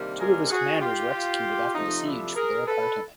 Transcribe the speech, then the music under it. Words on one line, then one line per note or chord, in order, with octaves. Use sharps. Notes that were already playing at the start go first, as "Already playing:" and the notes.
Two of his commanders were executed after the siege for their part in it.
Already playing: C3 D#3 G3 A#3 D4
G#4 A#4
F#4 G#4
F4 G4
C3 F3 A3 D#4
D4 E4
G#4 A#4
A4 B4